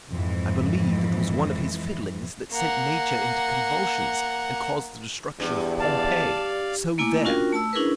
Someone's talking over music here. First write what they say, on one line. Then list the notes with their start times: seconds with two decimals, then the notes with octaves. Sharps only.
I believe it was one of his fiddlings that sent Nature into convulsions and caused the destruction of Pompeii--so there!
0.10 F2 G#2 E3
2.51 A#3 F#5
5.40 E2 G2
5.80 D5 F5 A5
6.98 A3 A#3 E4 G#5 D6
7.25 C#4 D4 F4 F#4 A#4 G5
7.52 A3 A5 E6
7.73 C#4 D4 E4 G#4 A#4 B4